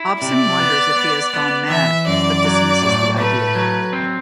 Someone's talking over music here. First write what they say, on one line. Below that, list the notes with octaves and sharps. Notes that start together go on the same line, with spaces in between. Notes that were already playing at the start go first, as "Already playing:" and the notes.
Hobson wonders if he has gone mad, but dismisses the idea.
Already playing: E4
C3 D5
B3
B3
B3
E3 E5
F#2 D5
F#3
A2
A3 B4
F#3
C4